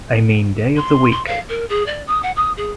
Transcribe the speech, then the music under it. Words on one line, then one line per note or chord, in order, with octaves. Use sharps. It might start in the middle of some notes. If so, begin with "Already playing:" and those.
I mean day of the week.
C6
C6
F5
A#4
G#4
D5
D#6
F#5
D#6
G#4